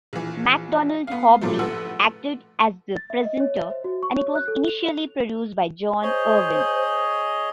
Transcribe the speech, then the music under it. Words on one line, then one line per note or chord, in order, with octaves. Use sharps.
McDonald Hobley acted as the presenter, and it was initially produced by John Irwin.
A#1 E3
B3 F5
G2 A#2 C#3 F3 F#3 A3
A1 A3 A4 B4 F#5 E6
A6
E5
D#5
C#5
E5
C5
F#4
C#6
C#5
F#6
A4
F7
G#4 C5 C#5 D#5